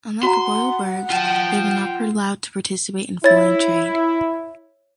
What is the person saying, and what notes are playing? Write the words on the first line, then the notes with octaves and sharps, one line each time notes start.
Unlike royal burghs, they were not allowed to participate in foreign trade.
F#4 F#5 A#5 C6
F4 G5 A5
E4 C#5 A6